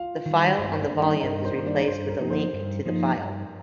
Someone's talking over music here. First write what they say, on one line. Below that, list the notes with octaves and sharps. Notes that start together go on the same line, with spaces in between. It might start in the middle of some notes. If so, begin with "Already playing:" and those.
The file on the volume is replaced with a link to the file.
Already playing: F4 F5
D#3 G3
G2 C5
D4 D5
D#3 G3 A#3
D#4 D#5
G2 A#4
C5
D#3 G3 A#3
D4 D5
A#4
G2 C5
A#4
F3 A#3 D#4
C5
G2
F3 A#3 D#4
G2